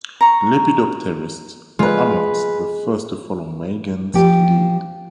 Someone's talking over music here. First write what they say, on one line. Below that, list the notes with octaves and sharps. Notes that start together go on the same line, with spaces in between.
Lepidopterists were amongst the first to follow Meigen's lead.
A#5 C#6
G#3 F4 B4
F3 G4